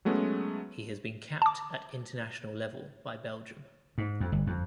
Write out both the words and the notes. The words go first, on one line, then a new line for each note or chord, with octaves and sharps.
He has been capped at international level by Belgium.
F#3 G#3 A3 B3 C#4
A5 D6
G#2
F2
G1
F2